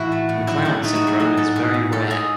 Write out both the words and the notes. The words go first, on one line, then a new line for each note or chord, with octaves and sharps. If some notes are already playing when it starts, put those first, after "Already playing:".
McLeod syndrome is very rare.
Already playing: A2 E3 E4 F#4
A3
A2
F#3 E4
A2 E4
A3 D#4
F#4
A2
G#4
F#3 G#4
A2 A4
A2 G#4
A2
G#3 A4
G#3 G#4